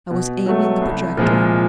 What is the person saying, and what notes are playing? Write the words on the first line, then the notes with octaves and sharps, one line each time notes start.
I was aiming the projector.
B2
F#3 A3
C2
A#2 F3 G#3